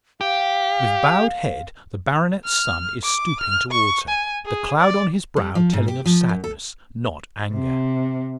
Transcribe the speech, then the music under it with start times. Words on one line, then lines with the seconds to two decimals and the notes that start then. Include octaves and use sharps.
With bowed head the baronet's son is stooping towards her, the cloud on his brow telling of sadness--not anger.
0.21 G4 F5
2.44 F6
3.03 D6
3.41 F6
3.71 C#6
4.09 G#5
4.45 G#4
4.79 D5
5.36 G3
5.55 F3
5.73 G#2
5.88 G4
6.06 F3
6.29 F#2
6.44 A4
7.53 C3